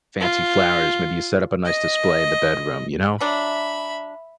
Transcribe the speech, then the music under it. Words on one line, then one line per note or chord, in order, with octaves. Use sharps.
fancy flowers; maybe you set up a nice display in the bedroom, you know?
F4
D#5
F#3 D4 E5 B5